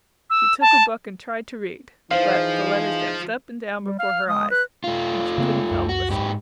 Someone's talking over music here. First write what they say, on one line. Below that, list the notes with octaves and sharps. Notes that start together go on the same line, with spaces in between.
She took a book and tried to read, but the letters danced up and down before her eyes, and she couldn't help listening.
E6
A5
E3 F3 D#4 G#4 C5 F5
G3
F5 F6
G#3 D#6
B4 F#6
A3 F4
C#3 A#3 C4
C#2 F#2
F#4
G#2 G4